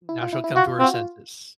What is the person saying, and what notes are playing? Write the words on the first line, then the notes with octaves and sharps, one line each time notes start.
Now she'll come to her senses,
E4
F4
E4
E4
F4 F#4
C4
F#4
F4